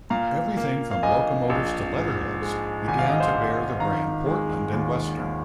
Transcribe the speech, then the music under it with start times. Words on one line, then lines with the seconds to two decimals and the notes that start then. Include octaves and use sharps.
Everything from locomotives to letterheads began to bear the brand Portland and Western.
0.10 A#2 F5 A#5
0.57 A#3
0.91 F5
1.03 A#1 D#5 G#5
1.50 A#1
1.96 G#2
2.42 G#3
2.87 G#1 G#5
2.99 F5
3.09 D#5
3.20 C5 F5
3.34 G#1
3.80 D#3 F5 A#5
4.26 G#3
4.73 D#2
5.19 D#2